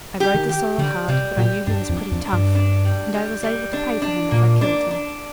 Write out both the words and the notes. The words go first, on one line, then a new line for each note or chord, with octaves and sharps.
I rode the sorrel hard, but I knew he was pretty tough, and I was able to pay for him if I killed him.
G4
D#3
G4
D3 G3
C3 G3
A#2 G4
G2 D4
F2
D4
F2
D4
G2
D4
G3
G3
G3
D4
D4
A#2 A#3
D4
D4